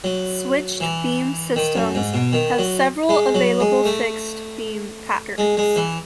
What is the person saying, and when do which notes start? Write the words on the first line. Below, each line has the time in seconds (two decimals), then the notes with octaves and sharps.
Switched beam systems have several available fixed beam patterns.
0.04 F#3
0.80 E3
1.56 D#3
1.76 F#2
1.95 G#2
2.14 B2
2.33 D#3
2.59 F#3
3.09 G#3
3.35 F#3
3.60 G#3
3.85 A3
5.38 G#3
5.57 G#3
5.76 E3